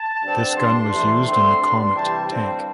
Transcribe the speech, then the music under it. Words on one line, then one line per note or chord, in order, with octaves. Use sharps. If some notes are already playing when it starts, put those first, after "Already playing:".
This gun was used in the Comet tank.
Already playing: A5
G2 D3 C4
G2 G3 D4 C6
C3 E3 A3 D4
D3 A3 C4 C6
G2 G3 D4
C3 E3 G3 C4 A5
G2 D3 G3 C4 A5